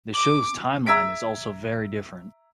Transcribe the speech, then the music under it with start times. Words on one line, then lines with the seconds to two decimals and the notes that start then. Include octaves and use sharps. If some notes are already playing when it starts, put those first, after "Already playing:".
The show's timeline is also very different.
0.15 D6
0.86 E5 A#5 E6 G#6 B6 D7